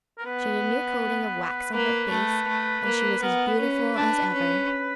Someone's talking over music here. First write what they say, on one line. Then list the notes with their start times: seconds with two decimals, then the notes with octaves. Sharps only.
She had a new coating of wax on her face and she was as beautiful as ever.
0.18 A#4
0.25 B3 B4
1.74 A#3 B4
2.11 A3
2.48 A3
2.85 A#3
3.22 B3 A#4
3.47 B4
3.59 C#4
3.71 B4
3.96 D4
4.34 C#4